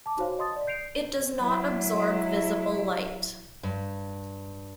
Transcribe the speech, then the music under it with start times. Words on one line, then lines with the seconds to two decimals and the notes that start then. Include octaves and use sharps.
It does not absorb visible light.
0.06 A5 D6
0.17 D#4 F#4 C5 C#5 F5
0.38 D#5 A5 C6 D#6 A6
0.56 D5
0.67 G6 C7 D7 F7
1.39 F#3 E4
3.63 G2